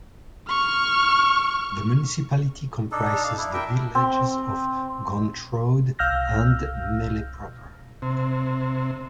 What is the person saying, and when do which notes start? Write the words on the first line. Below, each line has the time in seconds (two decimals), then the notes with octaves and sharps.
The municipality comprises the villages of Gontrode and Melle proper.
0.49 C#6 F6
2.92 D4 D#4 A4
3.24 F5
3.38 D4 E4
3.54 A#4 E5 G5
3.95 C4
5.99 C2 F5 E6 F6 G6 A#6
8.02 C3